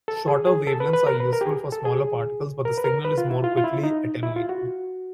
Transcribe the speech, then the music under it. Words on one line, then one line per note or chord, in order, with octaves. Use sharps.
Shorter wavelengths are useful for smaller particles, but the signal is more quickly attenuated.
A4
G#4
G#4
A4
B4
B4
A#4
B4
A#4
G4
G#4
A4
G#4
A#4
B4
A#4
B4
F4
E4
F4
F4
E4
D#4
E4
F4
F#4